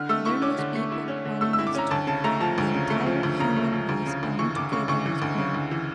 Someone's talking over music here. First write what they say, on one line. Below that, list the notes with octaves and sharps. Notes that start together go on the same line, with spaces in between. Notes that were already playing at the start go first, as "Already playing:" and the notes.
There must be but one master--the entire human race bound together as one.
Already playing: D3 F6
A3 E6
E4 C#6
C#4 D6
D3
A3
E4
C#4
D3
A3 E6
E6
E4
D6
C#4 A#5
D2 A5
C#3 A5
A3 A#5
F3 A5
D2
C#3
A3
F3
D2
C#3 A#5
A3
F3
D2
C#3
D2
E3 C#6
D2 D6
C#3 C#6
D2 C#6
E3
D2
C#3
D2
E3